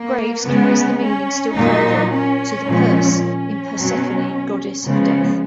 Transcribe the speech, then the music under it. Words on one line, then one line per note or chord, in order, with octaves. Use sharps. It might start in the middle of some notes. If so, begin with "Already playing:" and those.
Graves carries the meaning still further, to the "perse-" in Persephone, goddess of death.
Already playing: A#3
C#3 G#3 B3
C#4
A#2 F#3 D#4
C#4
A#2 F3 G#3
C#4
B2 F#3
C#3 F3 G#3 B3